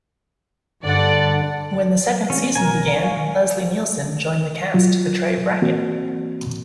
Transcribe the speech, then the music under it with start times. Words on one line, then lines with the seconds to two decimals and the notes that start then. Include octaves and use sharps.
When the second season began, Leslie Nielsen joined the cast to portray Bracken.
0.84 G2 D3 D5 F#5
2.30 E3 G3 C4 C#4
2.55 B1 A#4 G#5 A#5
2.99 F5 C#6
3.17 D#3
4.74 F#3 F4
5.62 E3 A#3 C4 F#4